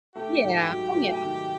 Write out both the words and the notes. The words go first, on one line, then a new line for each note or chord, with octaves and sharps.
Yeah. Oh yeah,
A3 G4
G#2
F#3
A3
D#3